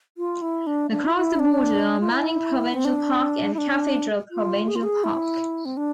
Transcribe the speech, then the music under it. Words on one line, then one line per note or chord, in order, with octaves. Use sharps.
Across the border are Manning Provincial Park and Cathedral Provincial Park.
F4
E4
D4
D4
F4
E4
D4
F4
E4
C4
D4
E4
D4
F4
G#4
F4
G#4
E4
C4
D4